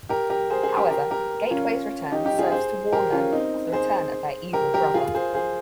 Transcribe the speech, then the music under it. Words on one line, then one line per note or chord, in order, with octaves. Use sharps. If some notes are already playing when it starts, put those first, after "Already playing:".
However, Gateway's return serves to warn them of the return of their evil brother.
G4 A#4
G4 A#4
G#4 C5
G#4 C5
G4 A#4
G4 A#4
G4 A#4
C#4 F4
D#4 G4
D#4 G4
F4 G#4
G#4 C5
G4 A#4
C#4 F4
C4 D#4
G#4 C5
G4 A#4
G4 A#4
F4 G#4
G#4 C5
G#4 C5